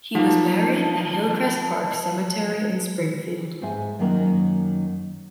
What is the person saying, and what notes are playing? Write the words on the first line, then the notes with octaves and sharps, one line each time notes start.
He was buried at Hillcrest Park Cemetery in Springfield.
F3 A#3 D#4 F#5 A5
G#2 C5 E5 G#5
F#2 D#3 F#3 A#3 A#4 D#5